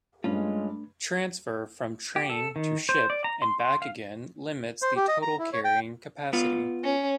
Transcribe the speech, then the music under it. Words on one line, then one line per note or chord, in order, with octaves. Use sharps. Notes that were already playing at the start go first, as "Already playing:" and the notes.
Transfer from train to ship and back again limits the total carrying capacity.
G2 G#3 A3 C#4 D4 F4
G4
A4
D#3
C5
D5
A#5
C6
C6
F5
C5
G4
D#5
A#5
E4
C#5
G5
B3 F4
C#4